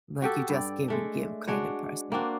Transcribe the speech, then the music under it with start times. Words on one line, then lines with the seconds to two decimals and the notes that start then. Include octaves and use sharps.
Like, you just give and give kinda person.
0.22 F#4 G4 A4
0.49 G2 D5
0.88 G#3 A3 D4
1.48 G#3 D4 F#4 C#5
2.12 A#3 C4 D4 F#4